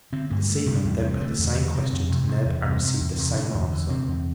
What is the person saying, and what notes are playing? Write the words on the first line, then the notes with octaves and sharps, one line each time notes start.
The seaman then put the same question to Neb and received the same answer.
D3 C4
G2 A#3
D3 A3
C3 G3
E2
C3
D3 A3
E2
D3
C3 C4
F2
C3
C3
E2
C3
C3
E2
C3
D3 D4
E2
D3
C3 C4
E2